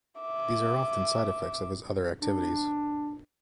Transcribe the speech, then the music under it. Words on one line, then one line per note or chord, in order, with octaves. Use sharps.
These are often side effects of his other activities.
E5 D6
D4